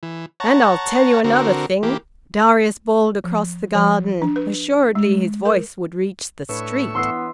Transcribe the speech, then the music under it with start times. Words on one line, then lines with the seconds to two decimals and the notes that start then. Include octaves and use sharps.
"And I'll tell you another thing," Darius bawled across the garden-- assuredly his voice would reach the street.
0.03 E3
0.40 C#5 F#5 A5 A#5
1.24 D3 C4 F#4 A#4
1.83 E3 A#3 G4
3.24 F3
3.75 F3
4.22 D4
4.36 B4
4.95 G#3
5.45 A#4
6.49 A2 D4 B4 C#5 E5 C#6
6.95 E3 B3 E4 B4 C6 E6 C7